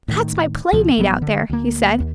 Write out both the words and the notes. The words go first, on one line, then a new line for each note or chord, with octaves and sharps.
"That is my playmate out there," he said.
A2 D#3
C#2 B2 F3
A1 F#3 B3
D3
D2 A#3
D#2